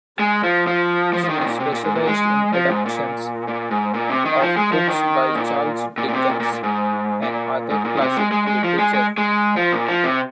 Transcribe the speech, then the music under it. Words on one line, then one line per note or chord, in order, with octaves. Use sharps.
She specialised in adaptations of books by Charles Dickens and other classic literature.
G#3
F3
F3
F3
F3
D#3
C3
A#2
C3
A#2
G#2
A#2
G#3
F3
G#2
A#2
A#2
G#2
A#2
C3
D#3
F3
G#3
F3
D#3
A#2
A#2
A#2
C3
A#2
A#2
A#2
G#2
A#2
G#2
A#2
D#3
C3
G#3
G#3
G#3
F3
G#3
G#3
G#3
F3
A#2
F3
C3